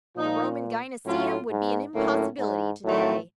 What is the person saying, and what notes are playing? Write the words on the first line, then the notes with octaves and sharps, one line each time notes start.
The Roman Gynaeceum would be an impossibility to-day.
A#2 F3 A#3 D#4
A2 F#3 A3 C#4 F4
G#2
A2 D3 F#3 A#3 C#4
G#2
A2 D#3 F#3 A3 C4